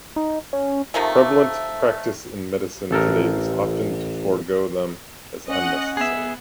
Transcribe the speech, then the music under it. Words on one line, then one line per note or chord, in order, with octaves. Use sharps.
Prevalent practice in medicine today is often to forego them as unnecessary.
D#4
C#4
C3 D#3 F3 A3
A1 A4 A#4
C#4 D#5 F#5
B3 G#4 E5